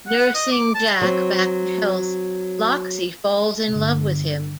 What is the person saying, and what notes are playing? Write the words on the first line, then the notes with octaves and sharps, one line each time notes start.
Nursing Jack back to health, Loxi falls in love with him.
F#5
D#5
D6
A5
F#3 C4
G1 D3